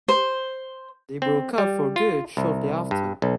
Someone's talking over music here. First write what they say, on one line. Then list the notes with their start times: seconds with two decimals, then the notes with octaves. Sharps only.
They broke up for good shortly after.
0.08 C5
1.22 C4
1.58 G3
1.96 F4
2.37 C2
2.91 G2
3.22 B1